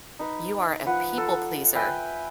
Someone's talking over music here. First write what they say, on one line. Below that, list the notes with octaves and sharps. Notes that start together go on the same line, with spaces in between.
You are a people pleaser.
D#4 B4
F3 B4 F#5
A4 C6
B4 E5 G5 G#5